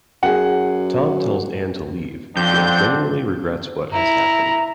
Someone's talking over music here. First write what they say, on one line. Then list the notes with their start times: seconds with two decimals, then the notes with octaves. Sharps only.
Tom tells Anne to leave, yet genuinely regrets what has happened.
0.23 F#2 G#4 F#5
2.37 F2 D3 C4 D4 G6
3.92 E4 A#5